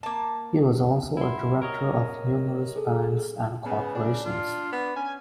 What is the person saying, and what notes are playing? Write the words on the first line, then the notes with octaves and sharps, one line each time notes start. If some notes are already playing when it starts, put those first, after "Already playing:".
He was also a director of numerous banks and corporations.
A#3 A5
E4 F#5 C6
A#4 C#5 D#5
G#4 A4
C#3 B3
D4
F4
B3
C#4 G#5